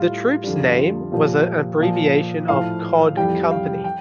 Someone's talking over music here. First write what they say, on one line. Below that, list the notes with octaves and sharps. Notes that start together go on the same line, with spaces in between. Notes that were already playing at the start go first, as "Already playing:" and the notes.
The troupe's name was an abbreviation of "Cod Company".
Already playing: A2 G3 F4
F2 D3 G3
F4
A#2 F3 G4
A#2 F3
A2 F3 F5
F2 E3 G3 G5
F5
G5